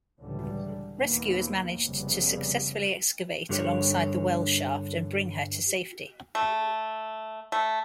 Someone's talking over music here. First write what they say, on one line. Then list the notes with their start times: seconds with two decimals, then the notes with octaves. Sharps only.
Rescuers managed to successfully excavate alongside the well shaft and bring her to safety.
0.20 C#2 A2 D3 E3 G3
0.98 D#2 A#2 D#3 A#3 B3
1.83 F1 C#3 G3 B3
3.49 G2 D3 G4 A#4 C#5
6.35 A3
7.52 A3